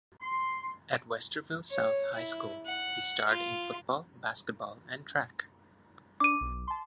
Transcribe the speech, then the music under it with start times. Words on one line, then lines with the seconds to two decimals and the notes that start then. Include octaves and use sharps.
At Westerville South High School, he starred in football, basketball, and track.
0.21 C6
1.70 C#5
2.14 E4
2.66 F#5
3.28 F4
6.20 D4 D6 D#7
6.41 B1
6.67 A5 C6